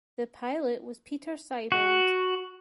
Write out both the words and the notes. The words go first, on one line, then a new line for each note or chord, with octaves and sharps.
The pilot was Peter Siebold.
F#4